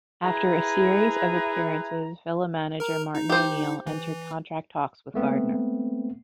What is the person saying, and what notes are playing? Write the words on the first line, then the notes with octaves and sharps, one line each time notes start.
After a series of appearances Villa Manager Martin O'Neill entered contract talks with Gardner.
E4 G#4 B4 G#5 A#5
A#4 A#5
D#4
G4 C5
E3
G#3 A3 B3 C4